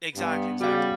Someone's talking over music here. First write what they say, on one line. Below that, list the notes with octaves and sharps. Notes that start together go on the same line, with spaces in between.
Exactly. Exactly.
G2 B3
C#3 G3 F#4 F5